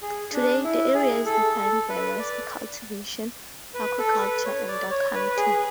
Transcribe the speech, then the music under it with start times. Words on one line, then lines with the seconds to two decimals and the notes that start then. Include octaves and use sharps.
Today, the area is defined by rice cultivation, aquaculture and duck hunting.
0.02 G#4
0.33 D4
0.64 E4
0.94 G#4
1.26 A4
1.57 A4
1.89 B4
2.19 D5
3.74 B4
3.98 A4
4.21 B4
4.45 C#5
4.68 D5
4.91 C#5
5.14 B4
5.38 G#4